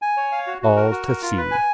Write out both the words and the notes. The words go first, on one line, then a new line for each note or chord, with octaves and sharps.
All to see.
G#5
C#5
F5
F#4
F#4
A#4
F#4
A#4
F4
B4
G#5